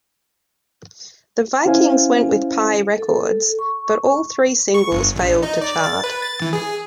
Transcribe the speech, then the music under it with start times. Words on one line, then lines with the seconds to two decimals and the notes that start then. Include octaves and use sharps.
The Vikings went with Pye Records, but all three singles failed to chart.
1.65 C#4 E4 C5 F5 G#5
2.98 A4
3.59 C#6
4.74 C#6
4.91 G1
5.16 A#1
5.43 D#4
5.61 D5
5.84 A6
6.04 B4
6.22 A6
6.42 E3
6.53 G#4